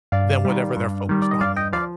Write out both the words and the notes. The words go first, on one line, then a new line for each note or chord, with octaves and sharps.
than whatever they're focused on in the moment.
G2 D5 F5
D#3 G3
G2
D#3 G3
D5
D#5
G2 D5 F5
D#5 G5
F3 D5 F5